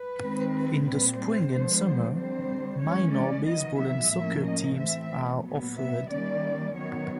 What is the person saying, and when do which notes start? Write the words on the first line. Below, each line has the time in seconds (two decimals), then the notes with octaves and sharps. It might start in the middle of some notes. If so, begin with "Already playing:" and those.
In the spring and summer, minor baseball and soccer teams are offered.
Already playing: B4
0.21 D#3 G#3 C4
0.86 A#2 G3 C4 B4
1.19 C5
1.51 D3 F3 G#3 B3
2.16 D3 G3 C4 C5
2.82 E3 G#3 C#4 C#5
3.15 D5
3.47 D#3 F#3 B3 D#5
3.80 E5
4.13 A2 F3 A#3 C#4
4.46 D#5
4.78 E3 A3 C4 E5
5.44 A#2 F#3 B3
5.77 E5
6.09 D#3 G3 A#3 C#4 D5
6.75 D#3 F#3 B3 C#5